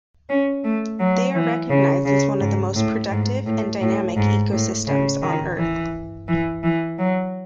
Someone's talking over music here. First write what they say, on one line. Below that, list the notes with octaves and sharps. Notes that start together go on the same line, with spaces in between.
They are recognized as one of the most productive and dynamic ecosystems on Earth.
C#4
A3
F#3
E3
C#3
C#3
G#2
A2
G#2
A2
A2
G#2
A2
C#3
D#3
E3
E3
E3
F#3